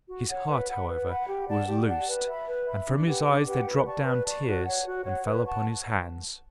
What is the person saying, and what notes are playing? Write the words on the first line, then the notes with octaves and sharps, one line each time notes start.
His heart, however, was loosed, and from his eyes there dropped down tears and fell upon his hands.
F#4
C#5 F#5
B4
F#5 B5
B4
F#5 B5
G4
D5 F#5 A5
G4
D5 F#5 A5
B4
E5 B5
B4
E5 B5
D4
G4 B4 F#5
D4
G4 B4 F#5
B4
D5 A5 C#6
B4
D5 A5 C#6
F#4
C#5 F#5
F#4
C#5 F#5
B4
F#5 A5 C#6